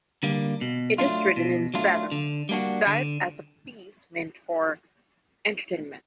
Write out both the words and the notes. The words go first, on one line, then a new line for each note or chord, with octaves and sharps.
It is written in Salon style as a piece meant for entertainment.
D3 G3 A#3
B2
F#3 A3 D4 F4
B2
F#3 A3 D4 F4
D3
G3 A#3 D4 F#4
D3